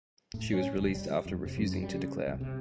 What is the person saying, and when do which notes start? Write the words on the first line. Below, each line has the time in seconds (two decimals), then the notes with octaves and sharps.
She was released after refusing to declare.
0.34 A2
0.53 C#4
0.76 F1
0.95 G3
1.26 F2
1.46 C3
1.57 F#2
1.83 G3
1.94 C#3
2.28 C2
2.41 C3